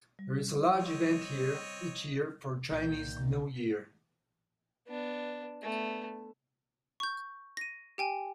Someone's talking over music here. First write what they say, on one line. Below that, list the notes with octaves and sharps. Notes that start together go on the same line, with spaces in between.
There is a large event here each year for Chinese New Year.
G3
C4 C#5 D#5
C2 A#2 D#3 G6
B3 D4
A3 B3
C#6 G6
A#6 D#7
G4 G5 G#5